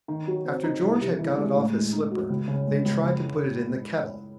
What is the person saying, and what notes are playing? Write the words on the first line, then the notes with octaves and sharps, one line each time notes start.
After George had got it off his slipper, they tried to put it in the kettle.
D#3
F#3
C4
D#4
C2
C3
E3
G#3
A2
G#3
D#4
F#4
C#2
C#3
G#3
C#2
F#1